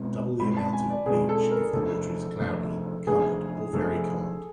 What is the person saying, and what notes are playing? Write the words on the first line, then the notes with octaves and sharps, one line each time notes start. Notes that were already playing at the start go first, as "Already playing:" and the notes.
Double the amount of bleach if the water is cloudy, colored, or very cold.
Already playing: B2 G#3 C4
B2 G#3 C4 B5
A5
G#5
D5
B2 G#3 C4 G#4
A4
A#4
C3 F3 A3 D4 A4
C3 F3 A3 D4
C3 F3 A3 D4 G#4
C3 F3 A3 D4 A4